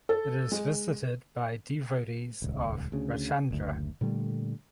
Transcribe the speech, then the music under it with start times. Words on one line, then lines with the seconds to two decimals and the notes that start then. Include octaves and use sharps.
It is visited by devotees of Rajchandra.
0.09 A4
0.52 G#3
2.42 D#1 C#2
2.92 D2 C#3
3.51 F#1 D2
4.01 A#2 D3 G3 A3